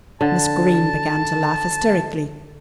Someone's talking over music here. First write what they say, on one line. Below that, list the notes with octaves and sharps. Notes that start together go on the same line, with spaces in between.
Miss Greene began to laugh hysterically.
D3 A5